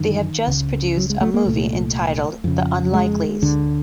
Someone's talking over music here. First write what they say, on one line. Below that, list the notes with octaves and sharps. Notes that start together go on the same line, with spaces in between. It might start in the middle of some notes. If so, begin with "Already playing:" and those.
They have just produced a movie entitled The Unlikeleys.
Already playing: F#2 D3 D#3
C#2 C#3
F#3
G#3
A3
A#3
C2 A#2 A3
F2 C#3
G#3
D2 D3